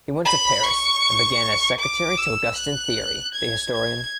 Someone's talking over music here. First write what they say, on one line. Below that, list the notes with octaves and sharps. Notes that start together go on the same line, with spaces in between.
He went to Paris and began as secretary to Augustin Thierry, the historian.
B5
C#6
D6
E6
F#6
G#6
G#6